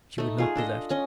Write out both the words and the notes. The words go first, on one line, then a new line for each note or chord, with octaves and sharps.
"She would not be left."
A3 D#4
F4 G#4
D4 A4 D#5
C#4 D#5